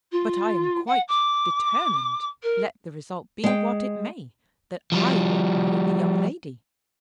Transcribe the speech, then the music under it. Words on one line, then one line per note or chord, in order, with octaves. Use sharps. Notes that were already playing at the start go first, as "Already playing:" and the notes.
"But I am quite determined, let the result be what it may, that I won't marry the young lady."
F4
F#5
D6
A#4
G#3 G5
F3 G3